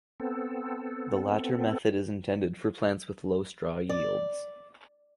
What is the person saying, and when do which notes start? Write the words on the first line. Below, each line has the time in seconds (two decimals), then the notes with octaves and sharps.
The latter method is intended for plants with low straw yields.
0.20 B3 C4 A4
3.89 D5